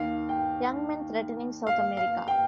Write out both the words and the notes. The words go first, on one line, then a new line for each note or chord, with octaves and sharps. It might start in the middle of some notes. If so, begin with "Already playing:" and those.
Young men threatening South America!
Already playing: D#2 D#3 F5
G5
F5
F5
G5